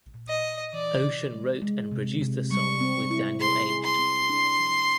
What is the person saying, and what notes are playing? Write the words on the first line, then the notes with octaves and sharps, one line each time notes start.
Ocean wrote and produced the song with Daniel Aged.
A#2
D#5
A#2
E3 D5
C3
G#3
G#3
C3
C3
G3 C#6
C4
E4
G#4 C6
G#4
C6
C4
D4
F3